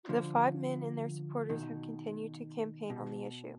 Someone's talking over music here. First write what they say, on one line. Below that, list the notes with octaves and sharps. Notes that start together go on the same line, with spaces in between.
The five men and their supporters have continued to campaign on the issue.
D3 F3
B2 D#3
B2